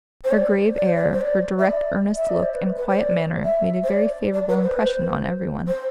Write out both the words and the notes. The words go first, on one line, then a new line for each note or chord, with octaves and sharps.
Her grave air, her direct earnest look and quiet manner made a very favorable impression on every one.
C5
D5
D5
C5
D5
C5
D5
E5
D5
E5
D5
C5
B4
B4
C5
D5
E5
C5
D5
D5
B4
C5
B4
C5
C5